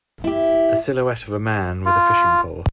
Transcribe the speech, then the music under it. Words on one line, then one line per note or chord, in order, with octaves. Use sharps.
A silhouette of a man with a fishing pole.
E4 G4
F4